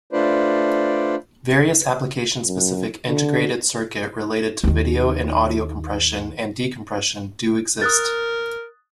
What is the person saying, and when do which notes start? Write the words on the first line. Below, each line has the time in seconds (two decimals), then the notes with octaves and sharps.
Various application-specific integrated circuit related to video and audio compression and decompression do exist.
0.13 A3 D4 F4 B4 C5 D5
2.47 F#2
3.07 D3
4.64 D#2 D#3
7.82 A#4 D#6 F#6 A6